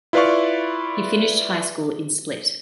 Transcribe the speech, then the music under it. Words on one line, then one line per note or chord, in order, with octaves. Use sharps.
He finished high school in Split.
E4 F4 B4 D5 F5 C#6